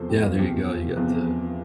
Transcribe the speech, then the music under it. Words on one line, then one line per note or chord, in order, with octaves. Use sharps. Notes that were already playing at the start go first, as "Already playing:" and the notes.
Yeah, there you go. You got the,
Already playing: E2 C3 F3 A4 C5
G4
F4
E2 C3 F3 G4
E2 C3 F3 F4